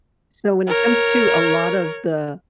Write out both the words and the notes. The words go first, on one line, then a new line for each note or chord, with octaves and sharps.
So when it comes to a lot of the,
A#4 C#5